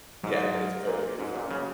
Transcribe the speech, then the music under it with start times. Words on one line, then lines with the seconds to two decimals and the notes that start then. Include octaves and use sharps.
Yeah, it's very beautiful.
0.23 G#2 F#3
0.55 A#4
0.87 A#2 F#4
1.19 G#2 C#4
1.36 A#2
1.51 C#3 F#3